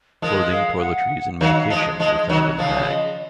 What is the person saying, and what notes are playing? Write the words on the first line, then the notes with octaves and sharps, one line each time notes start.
Clothing, toiletries and medication were found in the bag.
F3 G#3 A#4
F5
F#5
D#3 F#3 F5
F3 G#3
F3 G#3 D#5
D#3 F#3
C#3 F3 F5
D#5